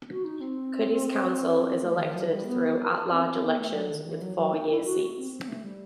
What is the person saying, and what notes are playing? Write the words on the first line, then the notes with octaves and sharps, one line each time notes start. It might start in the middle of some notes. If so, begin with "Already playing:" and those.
Cudahy's council is elected through at-large elections with four-year seats.
F#4
D#4
C4
A3
E3
D#3
F#3
G3
B3
C4
C4
B3
A3
F#3
D#3
E3
F#3
F#3
D#4
E4
F#4
C4
C4
A3
G3